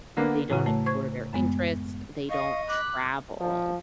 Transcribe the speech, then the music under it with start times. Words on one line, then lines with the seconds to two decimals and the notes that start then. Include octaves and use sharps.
They don't explore their interests. They don't travel,
0.17 D3 A#3 B3
0.50 A2 C#3 E3 F#3
0.66 A3
0.86 C5 C#6 G#6
1.33 F#2 G#3 B3
2.30 D#5 F5 C#6 D#6
2.69 B5 D6 F#6
3.39 F3